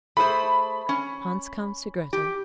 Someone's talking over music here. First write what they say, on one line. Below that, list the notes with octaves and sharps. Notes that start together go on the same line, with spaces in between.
Hans comes to Grettel.
A3 G#4 C5 B5
C#4
G4